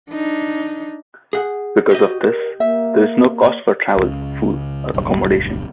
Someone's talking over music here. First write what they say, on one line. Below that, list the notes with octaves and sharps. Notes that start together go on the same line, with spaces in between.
Because of this there is no cost for travel, food, or accommodation.
D4 D#4
G#4 F#5
F#4 G4 D#5
A#4
A#3 E5
C#2 C#3
D1 B1 G2